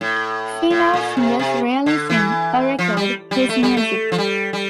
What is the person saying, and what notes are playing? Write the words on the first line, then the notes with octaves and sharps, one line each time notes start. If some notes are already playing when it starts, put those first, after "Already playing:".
Female singers rarely sing, or record, his music.
A2
A2
A#2
C3
C3
D3
E3
F3
G3
G3
A3
G3
A3
F3
G3
G3